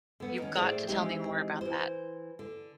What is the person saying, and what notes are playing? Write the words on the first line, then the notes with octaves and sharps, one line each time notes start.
You've got to tell me more about that.
D3 B3
D#3 C#4
A2 A3 G#4 C5 D5 G5
E3 G#3 C4 D#4 G4
E3 C5
D3